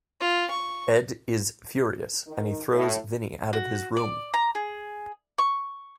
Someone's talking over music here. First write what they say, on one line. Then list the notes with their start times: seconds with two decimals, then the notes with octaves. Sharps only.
Ed is furious and he throws Vinnie out of his room.
0.20 F4
0.51 C#6
2.27 D#3
2.74 A2
3.53 F#4
3.97 D5
4.34 A#5
4.55 G#4
5.38 C#6